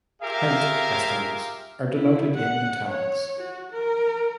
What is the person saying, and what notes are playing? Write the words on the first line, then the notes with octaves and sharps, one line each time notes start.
Height estimates are denoted in "italics".
F4 G4 G#4 A#4 E5 F5
E4
F#5
C#5
F#4
A#4